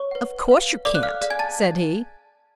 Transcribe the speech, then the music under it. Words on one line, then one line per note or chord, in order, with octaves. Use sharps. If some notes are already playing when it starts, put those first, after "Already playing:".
"Of course you can't," said he.
Already playing: C#5 C#6
B4 F#5
B4 F5
A4 D5 F5 D6
F#6
F5 F6
G#4 D5 F5
G#5 G#6
A5 A6